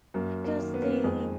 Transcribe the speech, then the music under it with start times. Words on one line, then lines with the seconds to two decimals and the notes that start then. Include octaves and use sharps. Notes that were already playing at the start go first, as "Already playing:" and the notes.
Does the,
0.14 F#2 A#3
0.44 A#3
0.59 D#3
0.74 B3
0.82 A#3
0.90 B3
1.04 F2 G#3